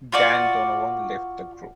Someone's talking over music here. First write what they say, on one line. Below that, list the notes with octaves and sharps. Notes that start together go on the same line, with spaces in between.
Dan Donovan left the group.
F4 F#4 D5